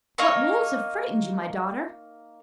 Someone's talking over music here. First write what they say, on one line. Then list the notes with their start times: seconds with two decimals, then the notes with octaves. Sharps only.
What wolves have frightened you, my daughter?
0.18 A#3 D#4 C#5 C#6